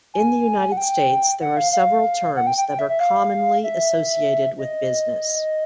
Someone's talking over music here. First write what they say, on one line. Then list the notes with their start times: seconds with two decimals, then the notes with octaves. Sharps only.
In the United States, there are several terms that are commonly associated with business.
0.14 G#5
0.72 F#5
0.77 G5
1.41 F#5
1.57 F5
1.73 F5
2.36 F#5
2.47 G5
2.57 G5
2.68 G5
2.79 E5
2.89 E5
3.00 F5
3.64 E5
4.59 D#5